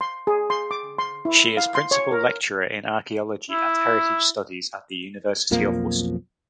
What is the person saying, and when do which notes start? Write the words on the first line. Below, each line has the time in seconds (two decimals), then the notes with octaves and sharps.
She is principal lecturer in archaeology and heritage studies at the University of Worcester.
0.01 C6
0.27 G#4
0.50 C6
0.71 D6
0.98 C6
1.25 E4
1.57 F5
1.75 C6
1.91 C#5
2.12 A#4
3.51 E4
5.51 B1 F2 F3 A#3